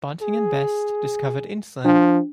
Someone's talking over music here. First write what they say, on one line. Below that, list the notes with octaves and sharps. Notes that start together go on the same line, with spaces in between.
Banting and Best discovered insulin.
G#4
F3 D4